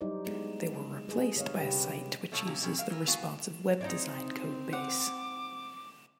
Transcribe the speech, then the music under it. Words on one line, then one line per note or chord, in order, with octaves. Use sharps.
They were replaced by a site which uses the Responsive Web Design codebase.
F#3 G3 D#4 E4 C5 D5
G#3 B3
G3 G#4
D3 C#5 D#5 F5
C3 G3 C#4 G4 B4
B2 F3 A4 C#5
C3 A#3 C#4 A#5
B2 C4 C#4
A#4 F5
E3 A#4 B4
B3 F#4 F5 G#5
C4 D#4 E4 D5
F#5 D6